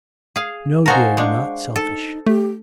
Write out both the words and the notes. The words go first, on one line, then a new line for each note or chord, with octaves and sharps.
'No, dear, you're not selfish....
G#4 F5
D#4 F#4 A4 A#4 C5 F5 G#5
G#3 D4 C5 C#6
D#4 A4
A3 G4